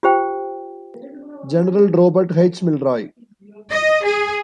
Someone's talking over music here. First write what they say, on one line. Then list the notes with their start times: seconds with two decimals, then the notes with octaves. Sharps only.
General Robert H. Milroy.
0.03 F4 G4 C5 G5
3.71 D#5
4.05 G#4